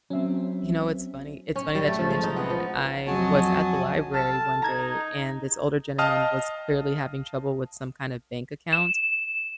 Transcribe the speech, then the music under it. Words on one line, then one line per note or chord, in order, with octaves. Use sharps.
You know, it's funny it's funny that you mentioned that. I was at the library one day and this older gentleman was clearly having trouble with some kinda bank account
F#3 C4 C#4 E5
C#4
G3
A3
F3
G#3
D#4
B3
F3
F2 F#3 F#4 D#5 G#5 A5
A4 A5 F6
D#4 A#5 G#6
D#5 F5 G5 A5 D#6 F6
E7